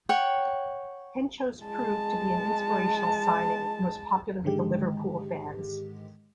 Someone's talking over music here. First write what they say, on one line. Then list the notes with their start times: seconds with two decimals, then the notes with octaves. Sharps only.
Henchoz proved to be an inspirational signing and was popular with the Liverpool fans.
0.09 C#5 F#5 G5
1.63 G#3 A5
4.44 G#2 D3 D#3 G#3 G4